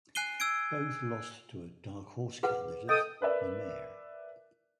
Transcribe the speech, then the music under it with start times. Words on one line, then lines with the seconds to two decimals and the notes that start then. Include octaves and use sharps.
Both lost to a "dark horse candidate": a mare.
0.15 G#5 F#6 C7 D#7 G7
0.40 E6 G#6 D7
2.43 G#4 B4 F#5
2.89 A4 D#5 G5 D#6
3.21 A#4 B4 D5 E5